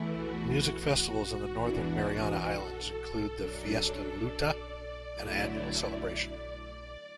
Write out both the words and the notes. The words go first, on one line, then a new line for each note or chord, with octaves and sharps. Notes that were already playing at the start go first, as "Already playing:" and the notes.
Music festivals in the Northern Mariana Islands include the Fiestan Luta, an annual celebration.
Already playing: E2 E3 A3 E4
F#4
E2 E3 D4
A4
F#2 F#3 D4
D5
D3 F#3 A3 E4